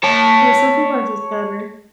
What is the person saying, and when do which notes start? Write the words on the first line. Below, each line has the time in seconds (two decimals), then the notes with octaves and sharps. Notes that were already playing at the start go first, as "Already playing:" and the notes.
Yeah, some people are just better.
0.04 C#5 A5